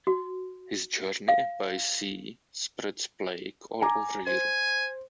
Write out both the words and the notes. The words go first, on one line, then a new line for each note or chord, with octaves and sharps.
His journey by sea spreads plague all over Europe.
F#4
F5
G#5 A#5 D6
C5 G#5